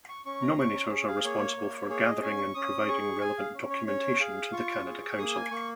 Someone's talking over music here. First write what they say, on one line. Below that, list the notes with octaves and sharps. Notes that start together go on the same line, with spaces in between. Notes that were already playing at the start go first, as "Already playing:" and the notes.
Nominators are responsible for gathering and providing relevant documentation to the Canada Council.
C#6
C#4 C#6
A#5
C#4 C#6
A#5
G#4
F5
A#3 C#5
A#3
G#4 C#5
D#5
C#4 G#5
C#6
C#4 D#6
G#4 C#6
G#4 G#5
F5
C#4
C#5
C#4 C#5
G#4 F5
F4 C#6
G#4
A#3 D#6
G#5
A#3 C#6